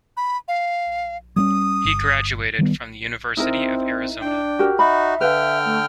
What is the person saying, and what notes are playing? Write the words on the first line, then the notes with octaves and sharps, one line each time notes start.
He graduated from the University of Arizona.
B5
F5
G3 A#3 C#4 D#6
G1
D#3 G3 B3
C4 D#4 E4 A#4
D4 G5
F#4 G4 A#4
D#4 F#4 E5 B5
D3 B4 F5 G5 F6
A3